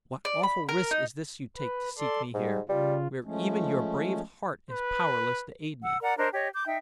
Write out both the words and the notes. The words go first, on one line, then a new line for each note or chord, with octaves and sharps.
"What awful risk is this you take to seek me here, where even your brave heart is powerless to aid me."
D5
B5
A#4
D#4
B4
A4 D5 C6
G#2 G3
C#3 G3 F4
F3 G#3 A3 C#4
B4
F#5 E6
A#4 D5 F#5 A#5
D4 A#4 C5 D#5
G4 C#5 D#5
D6 G6
D#4 E5 G5